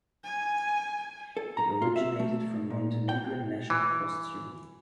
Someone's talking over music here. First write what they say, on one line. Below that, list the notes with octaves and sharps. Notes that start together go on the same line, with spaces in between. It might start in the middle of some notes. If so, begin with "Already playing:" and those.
It originated from Montenegrin national costume.
G#5
A4
A#5
F4
E5
A3
A#2
G5
E3